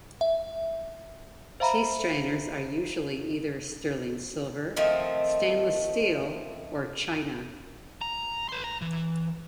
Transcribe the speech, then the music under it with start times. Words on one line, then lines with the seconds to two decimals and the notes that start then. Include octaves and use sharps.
Tea strainers are usually either sterling silver, stainless steel, or china.
0.21 E5
1.60 C5 E5 F5 A#5 B5
4.77 D#3 F3 A3 C4
8.01 A#5
8.49 B4 C6
8.64 A#5
8.82 E3